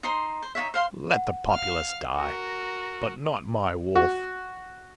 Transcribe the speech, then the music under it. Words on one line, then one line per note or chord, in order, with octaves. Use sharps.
Let the populace die, but not my wolf.
D#4 C5 C6
C5
D#4 F4 C#5 E5
C5 F5 C6
F#5
F5 F6
F#4 A#4
F#4